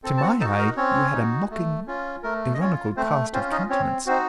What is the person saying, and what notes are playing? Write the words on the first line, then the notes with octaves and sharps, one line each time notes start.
To my eye, you had a mocking, ironical cast of countenance.
C4 A4
A5
F#4 F#5
D#4 F#4 A4 A5
A#4 A#5
C4 C#4 C#5
D#4 F#4
A3
C#4 F4
A3 A#4
D#5
C#4 F4 C#5
A3 C4 C5
C4 C#4 F4 C5
D#4 D#5
C4 C#4 C#5
C4 D#4 F#4 C5